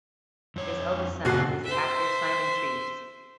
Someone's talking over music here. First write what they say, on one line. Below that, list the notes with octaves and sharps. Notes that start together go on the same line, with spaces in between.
His eldest son is the actor Simon Treves.
F2 C#5
F#1 A#2 C#3 F#4 C7
C5 E5